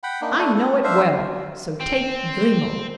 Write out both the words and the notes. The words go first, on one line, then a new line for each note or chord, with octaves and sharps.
"I know it well, so take Grimaud."
F#5 G5 B5
A#3 D4 D#4
A3 D4 E4
A4
D4 C5 E5 F5
C4